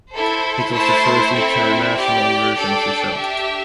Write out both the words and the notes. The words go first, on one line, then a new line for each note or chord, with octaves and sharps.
It was the first international version of the show.
E4 A4 C5
A3 E4 C5 A5
C4 E4 A4 E5
G4 D5 G5
D4 A4 D5 G5
D4 G4 E5